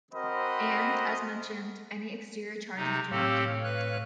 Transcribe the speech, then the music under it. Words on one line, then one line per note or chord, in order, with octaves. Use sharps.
And, as mentioned, any exterior charges do not count.
C4 F#4 A#4 C5 D#5 B5
C3 D#4
A2 C4 G4 A4 C#5 F5
B4 F#6